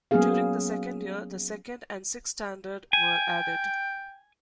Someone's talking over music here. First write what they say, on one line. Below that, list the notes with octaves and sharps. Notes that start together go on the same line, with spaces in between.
During the second year, the second and sixth standard were added.
F#3 A#3 B3 C#4 G#4 F5
G5 G#5